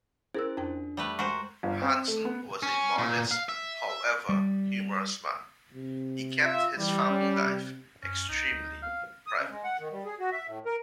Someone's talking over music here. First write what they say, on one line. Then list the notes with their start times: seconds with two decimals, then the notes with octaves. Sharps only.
Hanson was a modest however humorous man, he kept his family life extremely private.
0.35 C#4 E4 G#4 A#4 C5 E6
0.57 F2 D4 G5
0.97 G3 A3 B4
1.19 G#3 F#4 A#4 C5 C#6
1.63 G1
1.82 C4
2.08 A3
2.25 B3
2.63 C#4
2.98 A#2
3.31 F5
3.49 E5
4.29 G3
5.74 C3
6.44 F4 E5
6.78 E3 G3
7.10 C#4
7.45 C3
8.03 F#2 C#4
8.29 C2 D#4
8.52 D2
8.82 F5
9.27 D#6
9.38 C#3
9.50 G#3
9.64 F#5
9.79 D#3
9.91 G3
10.05 G#4
10.19 F#4
10.32 E5
10.47 A2
10.66 A#4